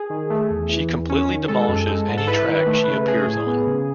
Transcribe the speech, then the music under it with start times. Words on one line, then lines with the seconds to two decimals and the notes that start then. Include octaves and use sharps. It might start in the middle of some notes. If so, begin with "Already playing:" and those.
She completely demolishes any track she appears on.
Already playing: G#4
0.10 D#3
0.30 A3
0.50 E2
0.69 E3
0.89 E2
1.09 C#4
1.29 D#3
1.48 G#3 A4
1.68 F#2
1.88 G#3
2.08 G#2
2.17 A4
2.27 E4 B4
2.48 D#3
2.66 A3
2.87 C#3
3.07 A3 G#4
3.27 A2
3.46 B3
3.66 C#3